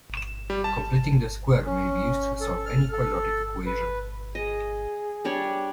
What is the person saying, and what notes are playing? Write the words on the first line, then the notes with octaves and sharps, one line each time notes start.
Completing the square may be used to solve any quadratic equation.
E7
G3
A5
C#4
A4
F6
A4
B4
G#4 D#5
G3 D4 C#5